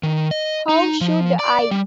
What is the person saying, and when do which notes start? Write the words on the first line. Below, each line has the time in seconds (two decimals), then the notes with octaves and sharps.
How should I?
0.03 D#3
0.31 D#5
0.69 D#4
1.01 F3
1.39 D5
1.71 G3